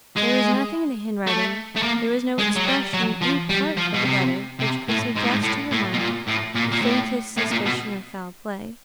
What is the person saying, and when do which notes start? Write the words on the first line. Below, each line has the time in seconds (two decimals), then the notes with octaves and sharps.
There was nothing in the handwriting, there was no expression in any part of the letter which could suggest to her mind the faintest suspicion of foul play.
0.16 G#3
1.27 A3
1.76 A3
1.83 A#3
2.38 G#3
2.56 F#3
2.66 G3
2.93 F#3
3.22 F3
3.49 G3
3.77 F3
3.94 B2
4.05 C3
4.60 C3
4.88 A2
5.16 G#2
5.24 A2
5.31 G#2
5.43 A2
5.71 A2
5.93 B2
5.99 A#2
6.27 A2
6.54 A#2
6.71 A#2
6.81 A2
7.37 A2
7.51 A#2
7.66 B2